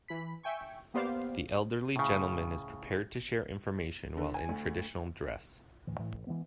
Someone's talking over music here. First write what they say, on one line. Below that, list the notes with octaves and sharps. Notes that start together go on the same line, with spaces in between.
The elderly gentleman is prepared to share information while in traditional dress.
E3 B5 B6
E5 G5 G#5 C#6
A#3 B3 G4 C5 D5 F5
A2 C#3
D3
G#5
D2
D2 A2 E3
A2 E3 A3
A1
E3 F3 G#3 B3